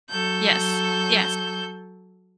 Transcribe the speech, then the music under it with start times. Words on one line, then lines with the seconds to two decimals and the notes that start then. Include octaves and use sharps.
Yes, yes.
0.10 F#3 A4 G6